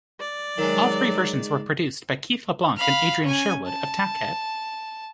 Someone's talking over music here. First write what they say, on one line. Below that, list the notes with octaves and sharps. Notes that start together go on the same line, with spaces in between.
All three versions were produced by Keith LeBlanc and Adrian Sherwood of Tackhead.
D5
D#3 F#3 G#3
F5 B5
C#4 G#5
A5